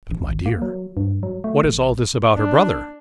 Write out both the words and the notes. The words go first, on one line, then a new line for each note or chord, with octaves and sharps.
"But, my dear, what is all this about her brother?"
A1
G#1
A#3
F#3
G2
F#3
A3
A1
D4